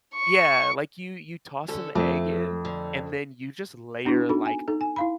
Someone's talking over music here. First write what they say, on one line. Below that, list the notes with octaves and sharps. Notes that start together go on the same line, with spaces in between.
Yeah, like, you you toss some egg in, and then you just layer, like,
C#6
D3 C#4 A4
F2 A3
D3
B3 D4 E4 F#4
D4 D#4 F#4 A4 B5
G#5
D#4 A4
G#5
E4 F5 B5